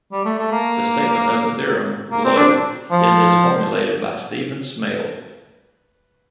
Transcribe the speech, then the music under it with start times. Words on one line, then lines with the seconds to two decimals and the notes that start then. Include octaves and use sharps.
The statement of the theorem, below, is as formulated by Stephen Smale.
0.12 G3
0.25 A3
0.38 A3
0.52 A#3
2.11 A#3
2.24 C4
2.37 D4
2.91 F3